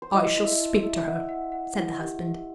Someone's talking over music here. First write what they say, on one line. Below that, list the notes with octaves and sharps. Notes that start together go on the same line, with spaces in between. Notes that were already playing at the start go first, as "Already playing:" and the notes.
"I shall speak to her," said the husband.
C5
E4 D#5
E4
E5
E4
E5
E4
F#5
F#5
F#5
E4
G4
G4